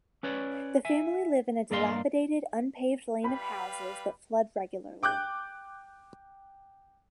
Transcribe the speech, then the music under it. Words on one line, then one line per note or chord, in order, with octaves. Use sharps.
The family live in a dilapidated, unpaved lane of houses that flood regularly.
C#4 B4 C#5 D5
E5 G#5
G2 A#3 D5 D#5 F5 C6
G3 B4 F5 G5 B5
G5 D6 F#6 G6